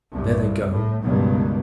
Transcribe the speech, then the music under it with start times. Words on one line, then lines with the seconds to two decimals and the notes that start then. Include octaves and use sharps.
"There they go!"
0.12 C2 G2
0.70 A2
1.02 C#2 G2 B2 D#3